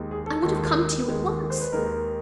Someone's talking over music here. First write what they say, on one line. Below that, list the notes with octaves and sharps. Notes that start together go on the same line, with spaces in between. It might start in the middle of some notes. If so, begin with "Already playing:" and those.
I would have come to you at once.
Already playing: D#2 D#3 G#3
G#4
A4
D#2 D#3 G#3
D#2 D#3 G#3
C5
B4
D#2 D#3 G#3 A#4